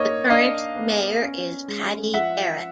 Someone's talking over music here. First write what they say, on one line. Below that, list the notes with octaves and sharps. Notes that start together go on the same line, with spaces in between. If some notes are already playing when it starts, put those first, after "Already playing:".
The current mayor is Patti Garrett.
Already playing: A#3 D#4 C#5 D#5
D4 D#5 F5
B3
C#4
G#3
F3 E5 F#5